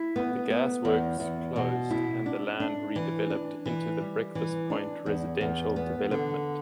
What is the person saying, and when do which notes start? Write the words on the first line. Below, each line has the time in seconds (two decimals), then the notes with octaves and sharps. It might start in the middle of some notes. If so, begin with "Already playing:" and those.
The gas works closed and the land redeveloped into the Breakfast Point residential development.
Already playing: E4
0.16 B3
0.50 B3
0.85 E2
1.20 E2
1.56 B2
1.91 E4
2.26 D4
2.60 D4
2.96 E3
3.30 D4
3.66 E3
4.00 G3
4.35 E3
4.70 D4
5.06 E2
5.41 E2
5.76 B3
6.11 D3